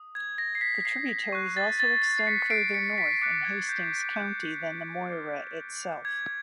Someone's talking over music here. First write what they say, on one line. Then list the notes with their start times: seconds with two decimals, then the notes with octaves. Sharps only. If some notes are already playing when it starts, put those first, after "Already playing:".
The tributaries also extend further north in Hastings County than the Moira itself.
Already playing: D#6
0.15 G#6
0.38 A#6
0.55 C7
0.61 B6
0.85 C7
1.09 B6
1.33 C#6 F#6
1.57 A6
1.80 A6
2.19 C7
2.27 B6 C#7
2.50 C7 D7
2.74 B6 C#7
2.98 B6
3.21 D6 F#6 B6 C#7
3.45 G#6
3.69 G6
3.92 G6
4.16 G6
5.11 D6 F6
6.05 G#6